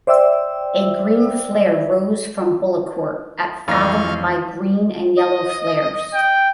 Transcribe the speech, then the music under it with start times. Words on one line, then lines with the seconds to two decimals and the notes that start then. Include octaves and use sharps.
A green flare rose from Bullecourt at followed by green and yellow flares.
0.07 C5 D5 E5 G5 E6
3.68 A1 F2 F5 A#5 B5 C#6 F6 A#6
5.16 D#5
6.14 G5